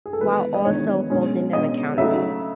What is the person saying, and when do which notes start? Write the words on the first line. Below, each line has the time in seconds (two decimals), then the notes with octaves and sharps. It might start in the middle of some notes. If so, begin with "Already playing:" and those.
while also holding them accountable.
0.06 G#4
0.13 A4
0.21 E2 D#3 G#3 D#4 B4
0.54 D#5
0.65 E2 D#3 G#3 D#4 C#5
1.10 B2 G#3 C#4
1.53 B2 G#3 C#4 D#5
1.97 C#3 F#3 A3 D#4 E5